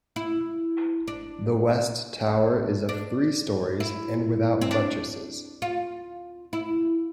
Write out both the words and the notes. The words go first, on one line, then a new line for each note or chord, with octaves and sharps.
The west tower is of three storeys and without buttresses.
E4
D4
D4
E4
C4
D4
F4
E4